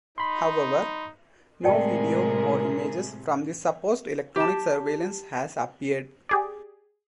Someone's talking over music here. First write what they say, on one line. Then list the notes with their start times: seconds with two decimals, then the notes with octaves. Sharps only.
However, no video or images from this supposed electronic surveillance has appeared.
0.18 D#4 B5 C6
1.65 A2 C3 G#3 G#4 A#4 D5 G5 A5
4.36 G4 A5
6.29 G4 G#4 D5